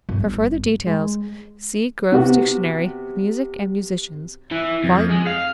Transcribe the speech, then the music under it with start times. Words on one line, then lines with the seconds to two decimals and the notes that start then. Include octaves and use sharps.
For further details see Grove's Dictionary of Music and Musicians, Vol.
0.09 G1
0.87 G#3
2.12 C3 B3 F#4
4.51 E3
4.84 F2
5.09 G#3
5.26 F5